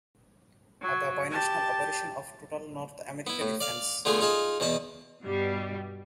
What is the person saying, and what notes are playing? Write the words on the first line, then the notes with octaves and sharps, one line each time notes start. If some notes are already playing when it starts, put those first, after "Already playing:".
The bi-national operation of total North America Defense.
F#3
G4 A5
B3 E4
A2
D5 F5
D3 A3 B3 F4 G#4
D#4 F4 G#4 A5
E2 B2 B3 A5
G2 B2 G3